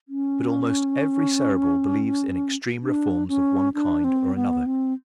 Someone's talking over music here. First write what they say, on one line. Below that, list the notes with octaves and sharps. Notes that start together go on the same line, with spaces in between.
But almost every Cerebral believes in extreme reforms of one kind or another.
C#4
D4
C#4
D4
C4
B3
C4